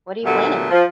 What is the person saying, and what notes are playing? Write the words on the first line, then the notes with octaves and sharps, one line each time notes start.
what are you planning?
A#2 D3 F#3 G3 A3 B3
F3